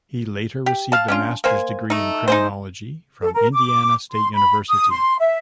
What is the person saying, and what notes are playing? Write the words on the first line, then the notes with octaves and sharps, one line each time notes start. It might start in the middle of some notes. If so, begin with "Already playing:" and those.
He later received a master's degree in criminology from Indiana State University.
G4
F5 A5
C#4 D4 F4
A#3 C5 G#5
A3 D#4
D#4 G#4 C5
A4
A#4
D6
C6
B5
D#6
C6
E5